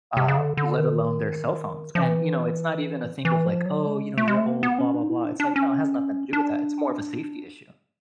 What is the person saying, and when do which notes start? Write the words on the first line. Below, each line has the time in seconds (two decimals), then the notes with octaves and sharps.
uh, let alone their cell phones. And, you know, it's not even a thing of, like, "Oh," you know, "You're old, blah blah blah," it's like, no, it has nothing to do with that, it's more of a safety issue,
0.17 C3
0.28 C#3
0.38 D3
0.57 D3
0.78 D#3
0.87 D3
0.94 D#3
1.95 F3
2.02 E3
3.25 E3
3.45 F3
3.66 F#3
3.87 G#3
4.18 A3
4.28 G#3
4.37 A3
4.48 A#3
4.63 B3
4.78 C#4
4.94 D4
5.03 D#4
5.09 E4
5.25 D4
5.40 D4
5.56 C#4
6.33 D4